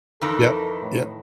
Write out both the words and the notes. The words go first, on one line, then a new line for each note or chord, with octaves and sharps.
Yep. Yeah.
F2 D#3 E3 A4
A2